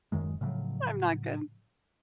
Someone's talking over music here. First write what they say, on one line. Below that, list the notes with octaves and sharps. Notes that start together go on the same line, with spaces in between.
I'm not good.
D1 F#2 D#3 G#3
A2 C#3 F3 F#3